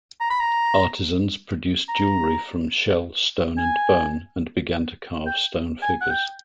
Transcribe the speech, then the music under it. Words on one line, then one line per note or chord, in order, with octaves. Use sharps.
Artisans produced jewelry from shell, stone, and bone, and began to carve stone figures.
A#5
B5
A#5
A#5
G#5
G5
G#5
F#5
G5